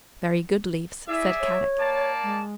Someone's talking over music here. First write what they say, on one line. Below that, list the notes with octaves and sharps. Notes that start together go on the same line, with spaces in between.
"Very good leaves," said Kadok.
E4 G#4 D5 E5
C#5
A#3 D5 A5
G#3